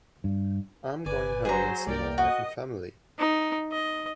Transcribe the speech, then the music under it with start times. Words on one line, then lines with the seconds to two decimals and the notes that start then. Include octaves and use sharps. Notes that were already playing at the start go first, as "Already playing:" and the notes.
I'm going home and see my wife and family.
0.24 G2
1.06 G1 B4 D5 G#5
1.45 F#3 G#4 C5 A#5
1.87 C2 A#3 A#4 D5 G5
2.18 F#4 D#5
3.19 D#4
3.72 D#5